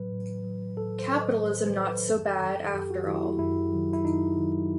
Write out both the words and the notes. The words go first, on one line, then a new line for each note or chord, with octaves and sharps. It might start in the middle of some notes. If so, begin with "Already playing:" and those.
Capitalism not so bad, after all.
Already playing: A2 F#3 B4
A2
F#3
A2 A4
C5
F#3
D#5
A2 D#5
B4
C5
F#3
B4
F#2 A4
D#3 F#3
F#2 G4
F#4
D#3 F#3 E4
E4
F#2 E4
D#3 F#3
E4
F#2 D#4
D#3 F#3